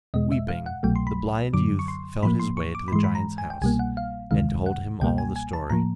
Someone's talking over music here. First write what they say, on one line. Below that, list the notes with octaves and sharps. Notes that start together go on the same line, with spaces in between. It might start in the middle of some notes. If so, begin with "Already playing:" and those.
Weeping, the blind youth felt his way to the giant's house, and told him all the story.
E2 B2 G#3 D#5
E5
F5
F#5
C2 B2 F#3 A3 G5
C6
B5
F#2 D3 F#3 D6
C#6
C6
A2 F3 A#3 B5
C6
C#6
D6
B5
G#2 E3 G#3 C6
B5
A#5
G#5
G5
C2 B2 G3 A#3 G#5
F#5
F5
D2 C3 D#3 G#3 F5
F#5
C#2 B2 G3 A#3 G5
G#5
G#5
A5
A2 F3 A#3 A#5